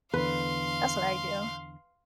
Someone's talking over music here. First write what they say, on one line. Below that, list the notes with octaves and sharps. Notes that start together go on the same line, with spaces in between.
that's what I do.
E2 D3 B4 F5 C6